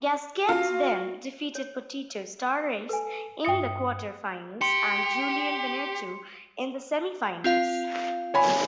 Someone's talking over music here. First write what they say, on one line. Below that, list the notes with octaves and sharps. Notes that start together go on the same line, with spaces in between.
Gasquet then defeated Potito Starace in the quarterfinals and Julien Benneteau in the semifinals.
F4 F#4 F5
C#5
A4 B4 G#5
G2 E5 G5 D#6 C#7
G4 C6 C#7
C4 F4 F5
C#5 G#5 B5